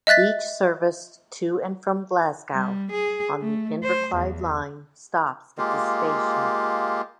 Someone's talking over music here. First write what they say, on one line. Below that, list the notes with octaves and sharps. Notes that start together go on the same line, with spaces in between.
Each service to and from Glasgow on the Inverclyde Line stops at this station.
D#5 E5 F#6 A6 B6
G3
G#4
A3
C5
E2
G#3 A#3 F4 G4